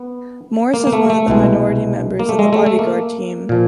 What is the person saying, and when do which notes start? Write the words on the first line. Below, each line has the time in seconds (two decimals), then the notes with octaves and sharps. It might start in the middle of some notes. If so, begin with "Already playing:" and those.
Morris is one of minority members in the Bodyguard Team.
Already playing: B3
0.74 A#3
0.87 A#3
0.93 A3
1.10 A3
1.28 C2 B2 G#3
2.20 A#3
2.29 A3
2.39 G#3
2.53 A3
2.66 A3
2.79 A#3
3.49 A#2 F3